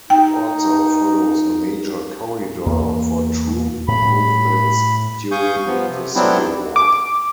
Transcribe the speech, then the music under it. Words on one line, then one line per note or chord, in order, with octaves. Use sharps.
It also follows a major corridor for troop movements during the Civil War.
D#4 G5
E2 A#3
A2 B5
F5 G#5 C#6 D#6 G6
F3 B3
C3
F#3 G3 B3 C4 D4 E4
D6